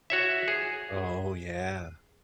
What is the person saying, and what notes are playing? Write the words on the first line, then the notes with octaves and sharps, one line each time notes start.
Oh, yeah.
F#4 C#5 E5
G#4